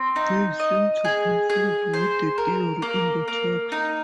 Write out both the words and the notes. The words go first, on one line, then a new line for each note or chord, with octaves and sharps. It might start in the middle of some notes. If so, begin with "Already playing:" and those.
They seem to conflict with the theory in the text.
Already playing: C4
D#4
D#5
G#4
G#4
C5
A#4
A#3
A#3
D#4